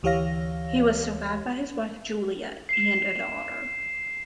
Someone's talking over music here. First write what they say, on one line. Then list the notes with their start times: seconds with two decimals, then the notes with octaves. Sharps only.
He was survived by his wife, Julia, and a daughter.
0.03 D2 E3 G4 C#5 F5 A#6
2.69 C7 E7